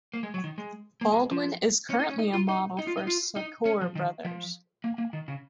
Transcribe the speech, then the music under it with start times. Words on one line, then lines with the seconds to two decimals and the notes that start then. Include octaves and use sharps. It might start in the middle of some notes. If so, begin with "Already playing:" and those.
Baldwin is currently a model for Sacoor Brothers.
0.14 A#3
0.23 G#3
0.34 F#3
0.44 D#3
0.58 G#3
1.01 A#3
1.12 G#3
1.31 F3
1.90 C#4
1.99 D#4
2.09 C#4
2.19 D#4
2.33 F4
2.49 D#4
2.79 D#4
2.87 F4
2.97 D#4
3.07 F4
3.36 D#4
3.65 C#4
3.81 F3
3.95 D#3
4.25 F3
4.84 A#3
4.98 A#3
5.13 D#3
5.28 C#3